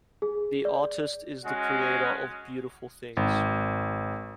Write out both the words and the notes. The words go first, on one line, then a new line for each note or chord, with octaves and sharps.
The artist is the creator of beautiful things.
G#4
D5
G#3 C#4 F#4
G#1